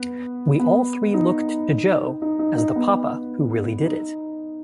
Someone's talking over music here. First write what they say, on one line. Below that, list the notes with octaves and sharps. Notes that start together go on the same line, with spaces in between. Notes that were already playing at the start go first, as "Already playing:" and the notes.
We all three looked to Jo as the 'Papa' who really did it.
Already playing: B3
B3
D#4
D#4
D#4
D#4
B3
D#4